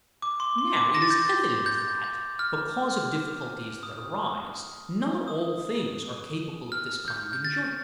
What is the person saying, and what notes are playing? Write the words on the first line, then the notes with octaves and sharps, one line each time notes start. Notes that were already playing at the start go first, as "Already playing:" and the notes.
Now it is evident that, because of difficulties that arise, not all things are capable of this kind of enjoyment.
D6
C6
C6
D6
A#6
A6
G6
A6
G6
F6
D#6
D#6
F6
G6
G6
A6